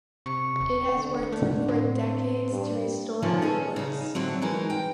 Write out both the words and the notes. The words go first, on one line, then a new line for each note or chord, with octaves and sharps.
It has worked for decades to restore the woods.
C3 C#6
D#1
D3
A3 D4
A2 C4
G2
D3 D#3 F3 B3 C#4 D4
C#4 G#4 A4
C#3 D#4
A2 D3 F#3 C4
E3 F#3 G#3 D#4 A#4
G5